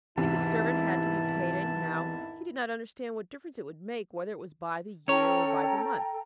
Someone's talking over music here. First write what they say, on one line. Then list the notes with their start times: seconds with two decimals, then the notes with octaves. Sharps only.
If the servant had to be paid anyhow, he did not understand what difference it could make whether it was by the year or by the month.
0.17 E2 G#2 C3 D#3 E3 D#4 E4 A5
5.08 C#4 A4 C#5 G5 A#5